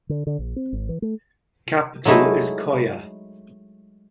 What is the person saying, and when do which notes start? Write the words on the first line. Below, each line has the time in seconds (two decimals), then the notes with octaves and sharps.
The capital is Coyah.
0.09 D3
0.27 D3
0.39 A#1
0.56 C4
0.73 G#1
0.89 E3
1.02 A3
2.05 F#3 G#3 A3 D#4 E4